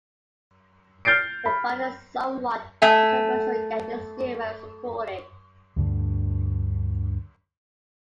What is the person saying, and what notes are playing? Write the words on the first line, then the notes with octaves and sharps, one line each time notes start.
The fund is somewhat controversial yet is still well supported.
F6 G6 A6 C7 D7
B5
A3 E5 G#5
D2 G2 D3